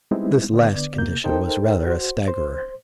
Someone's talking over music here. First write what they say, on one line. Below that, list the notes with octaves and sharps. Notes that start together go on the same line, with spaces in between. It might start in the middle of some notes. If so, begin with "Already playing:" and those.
This last condition was rather a staggerer.
G3 G#3 B3 C4 D#4 E4
D3 B3 D5
C3 A#3 G6
D#4 A4 A#4 C5 G5
F#4 C5
C5